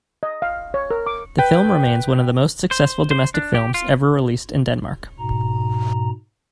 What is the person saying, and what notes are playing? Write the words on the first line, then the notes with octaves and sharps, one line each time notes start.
The film remains one of the most successful domestic films ever released in Denmark.
D#5
F5
C#5
A#4
D6
B4 G5
C5
C5
D4
G4
F4
G#2 B2 A#5